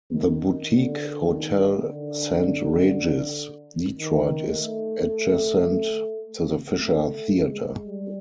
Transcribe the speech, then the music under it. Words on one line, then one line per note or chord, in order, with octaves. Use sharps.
The boutique Hotel Saint Regis, Detroit is adjacent to the Fisher Theatre.
D#3
D3
D#3
D3
D#3
A3
A3
G#3
G3